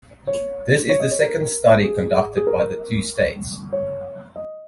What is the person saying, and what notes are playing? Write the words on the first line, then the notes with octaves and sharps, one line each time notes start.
This is the second study conducted by the two states.
C#5
C#5
D#5
C#5
A#4
G#4
G#4
A#4
C#5
D#5